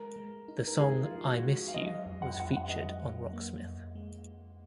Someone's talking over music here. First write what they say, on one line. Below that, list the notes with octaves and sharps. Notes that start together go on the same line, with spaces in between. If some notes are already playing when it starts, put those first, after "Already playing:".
The song "I Miss You" was featured on Rocksmith.
Already playing: G#3 A#4
G#3
D#4
A#4
G#3 G#4
F4
F3
F#4
G#3
F5
F#3 D#5
F2
F#5
F2 F#5
F#5
F#3 D#5
F#3
A#3
F2
G#3